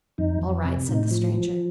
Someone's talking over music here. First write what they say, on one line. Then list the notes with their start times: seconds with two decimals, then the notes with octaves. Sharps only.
"All right," said the stranger.
0.18 F2 D#4
0.42 F2
0.65 C3
0.88 A2 D#4
1.11 F3
1.34 F3